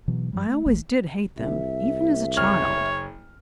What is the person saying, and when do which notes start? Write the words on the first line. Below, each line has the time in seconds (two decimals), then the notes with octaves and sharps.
I always did hate them, even as a child.
0.08 B2 E3 F#3
0.33 G2 F3 G3
0.47 A3
0.65 D#1 G#1 D#2 A3
1.38 C2 E5
2.37 F#1 C#5 F6